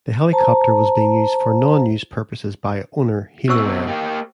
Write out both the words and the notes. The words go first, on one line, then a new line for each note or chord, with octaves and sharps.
The helicopter was being used for non-news purposes by owner Heloair.
C5 A5 A#5
B2 C4 C5 C#6 E6
A#3 G4